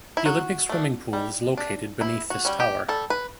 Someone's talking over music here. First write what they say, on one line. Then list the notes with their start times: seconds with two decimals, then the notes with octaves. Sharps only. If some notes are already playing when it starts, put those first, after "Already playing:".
The Olympic swimming pool is located beneath this tower.
0.17 E4
0.25 F#3 F#4
0.69 A3 D4
1.13 G3
1.57 D4
2.00 E3 E4
2.30 F#4
2.45 G3 C#4
2.60 G4
2.88 G3 A4
3.10 B4